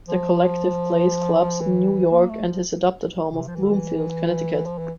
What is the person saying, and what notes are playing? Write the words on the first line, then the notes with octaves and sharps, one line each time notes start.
The collective plays clubs in New York and his adopted home of Bloomfield, Connecticut.
F3
E3
A#3
A3
F3
C3
F3
E3
D3
E3
F3
E3